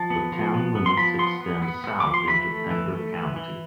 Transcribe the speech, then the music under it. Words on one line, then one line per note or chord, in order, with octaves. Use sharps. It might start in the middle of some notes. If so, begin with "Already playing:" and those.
The town limits extend south into Pender County.
Already playing: F3 A5
B3
F3
B3
B3
C6
F3 B5
B3 C6
B3
B3
B3
D6
F3
C6
E3 B5
A3
E3
A3
E3
E3